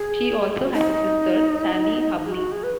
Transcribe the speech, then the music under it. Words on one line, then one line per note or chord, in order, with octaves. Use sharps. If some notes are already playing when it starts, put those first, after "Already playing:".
She also has a sister, Sally Hubley.
Already playing: G#4
F#4
D#4
G#4
F#4
G#4
B4